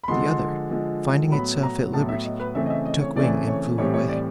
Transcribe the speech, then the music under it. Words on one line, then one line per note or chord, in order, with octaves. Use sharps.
The other, finding itself at liberty, took wing and flew away.
B5
D3 F3 G#3 C6
D3 F3 G#3
A2 F#3 B3 B5
A#5
A2 F#3 B3 A5
E5
D#5
B4
C#3 E3 A3 C4 E5
D#5
E5
D#5
C#5
C#3 E3 A3 C4 D5
C#5
A2 E3 G3 C4 C#5
C#5
D5